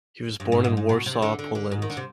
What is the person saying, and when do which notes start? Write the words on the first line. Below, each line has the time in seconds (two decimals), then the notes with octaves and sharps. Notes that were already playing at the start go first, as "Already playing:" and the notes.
He was born in Warsaw, Poland.
0.40 G2
0.52 G#2
0.64 G#2
0.77 G#2
0.89 B2
1.06 C3
1.22 D3
1.39 D3
1.55 D3
1.72 G#2
1.82 D#3
1.90 D3
1.97 C3